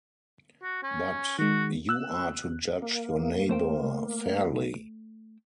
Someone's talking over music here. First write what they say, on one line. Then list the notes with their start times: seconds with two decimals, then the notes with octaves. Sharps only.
But you are to judge your neighbour fairly!
0.63 F#4
0.83 C#4
1.39 D#3 G#3 F#4
1.89 E6 F#6
2.82 A#3
3.49 A3 C5 G5